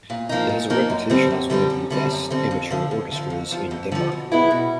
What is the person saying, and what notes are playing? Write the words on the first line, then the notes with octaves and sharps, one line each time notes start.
It has a reputation as one of the best amateur orchestras in Denmark.
A#2
F3 A#3 D#4
A#2
F3 A#3 D#4
F#2
D3 G3 C4
F#2
D3 G3 C4
F#2
D3 G3 C4
F#2
D3 G3 C4
F2
D3 F3
F2
D3 F3
F2
D3 F3
F2
D3 F3
B2
G#3 B3 E4
B2